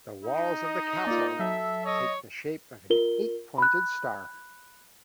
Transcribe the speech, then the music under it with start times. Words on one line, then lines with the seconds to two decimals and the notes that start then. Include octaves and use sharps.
The walls of the castle take the shape of an eight-pointed star.
0.25 D#4
0.64 D#5
1.07 A#3 F4 D5
1.39 F#3 A4 E5
1.85 C#5 D#5
2.90 F4 A#4 G7
3.58 B5 F#6